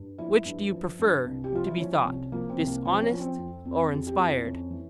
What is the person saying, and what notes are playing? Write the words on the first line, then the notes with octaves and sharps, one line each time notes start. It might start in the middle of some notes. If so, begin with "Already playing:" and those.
Which do you prefer to be thought, dishonest or inspired?
Already playing: G2
F3 E4
G2
F3
G2
C2
G4
F3 F4
E4
F3 C#4
C2
F3 A#3
C4
C2
A#3
F3 C4
C#4
F3
C4
F2
F2
F2 G#4
G4
F2 F4
E4
F2 C#4
E3